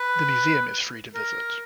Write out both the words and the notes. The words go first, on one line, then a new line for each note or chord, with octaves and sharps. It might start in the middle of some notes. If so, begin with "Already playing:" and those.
The museum is free to visit.
Already playing: B4
A#4